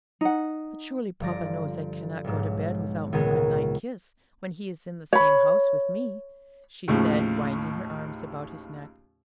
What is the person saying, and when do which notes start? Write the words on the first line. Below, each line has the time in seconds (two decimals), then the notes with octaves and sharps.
"But surely papa knows I cannot go to bed without my good-night kiss when he is in the same house with me," she said, winding her arms about his neck.
0.21 D#4 F#5
1.20 G1 F3 D5 A#6
2.24 B1 G#2
3.12 C#2 A#2 D#3 B3 G#4
5.13 C#5 B5
6.88 D#2 A2 C#3 F3